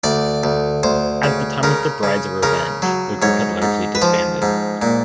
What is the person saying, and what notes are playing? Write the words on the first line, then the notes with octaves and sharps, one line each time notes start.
At the time of The Bride's revenge, the group has largely disbanded.
D2 D5
D2
D2 C5
C#3
C#3 A#4
C#3
C#3 A#4
F#3
G#2 C#5
G#2
B4
F3 C5
G#2
A#2